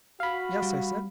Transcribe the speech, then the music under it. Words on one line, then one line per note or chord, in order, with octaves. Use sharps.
"Yes," I said.
F#4 F5 B5
G3